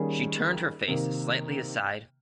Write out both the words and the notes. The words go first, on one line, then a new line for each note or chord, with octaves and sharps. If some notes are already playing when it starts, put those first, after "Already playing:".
She turned her face slightly aside.
Already playing: D#3 G3 A#3 C#4 G#4
C3 D#3 A#3